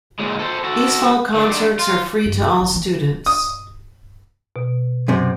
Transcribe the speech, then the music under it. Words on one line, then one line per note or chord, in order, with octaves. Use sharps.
These fall concerts are free to all students.
A#2 G#3
A4 C5
F#4 A4
D#3 D4
F4
G2
D#4
A1
E3
D#6
B2
F#2 C3